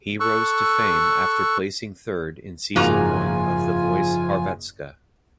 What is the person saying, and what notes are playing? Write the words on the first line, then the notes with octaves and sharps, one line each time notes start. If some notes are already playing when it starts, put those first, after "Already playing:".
He rose to fame after placing third in season one of "The Voice Hrvatska".
A4 C#6 E6 F#6
F#1 G#2 F3 A#3 F4 F#4 G#5 A#5